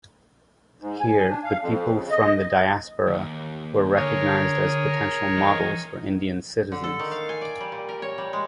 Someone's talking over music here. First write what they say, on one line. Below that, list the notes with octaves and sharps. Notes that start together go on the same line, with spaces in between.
Here, the people from the diaspora were recognized as potential models for Indian citizens.
G#2
G#5
D4
F5
F2
C#3
D#5
D#2
D3 G#4 A#4 C#5
E3 D#5
D3
A4
D#3
F5
G#5
D5
G3
A#2
A#4
C#5
G3
G#3